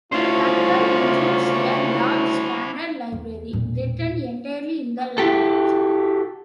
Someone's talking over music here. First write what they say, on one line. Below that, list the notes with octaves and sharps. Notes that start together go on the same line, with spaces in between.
Factor includes a large standard library, written entirely in the language.
D2 C#4 E4 F4 C5 A5 C#6
E2
E1 A#2
E4 F#4 G4 A4